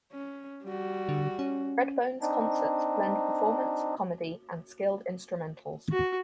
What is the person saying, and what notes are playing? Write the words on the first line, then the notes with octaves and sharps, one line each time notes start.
Redbone's concerts blend performance, comedy, and skilled instrumentals.
C#4
G3 F#4
D3
C#4
C4 D4 D#4
F#4